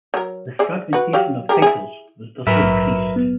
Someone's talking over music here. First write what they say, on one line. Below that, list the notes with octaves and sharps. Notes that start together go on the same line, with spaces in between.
The fragmentation of titles was thus increased.
F#3 A#4
E3 G#4 D5
F#4 B4
F#3 G4 F5
G4 G#4 A#4
E4 G#4
G#2 F#3 A#4 B4 E5 F6
A#1
B3